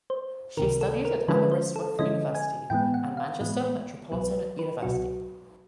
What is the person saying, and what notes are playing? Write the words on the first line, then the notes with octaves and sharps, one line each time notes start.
She studied at Aberystwyth University and Manchester Metropolitan University.
C5
C#2 C3 D#3 A#4
A4
A#4
D3 F3 G#3 C#4 E4 B4
C5
A4
D3 F3 G#3 C#4 E4 D#5
G#5
A2 E3 G#3 B3 G5
F#5
F5
A2 E3 G#3 B3
C2 B2 F#3 B4
B4
C2 B2 F#3 F#4